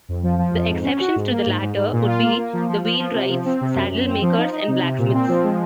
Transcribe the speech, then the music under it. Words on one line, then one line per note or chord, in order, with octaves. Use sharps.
The exceptions to the latter would be the wheelwrights, saddle-makers and blacksmiths.
F2
F3
F3
F2
G#2
C#4
F#4
G#2
A#3
G#2
G#2
G#2
A#2
F4
A#3
A#3
F3
F3
F3
F3
C3
F3
C4
C3
F#2
F#2
C4
F3
D#4
D#4
C3
C3
A#2
C4
F3
G#3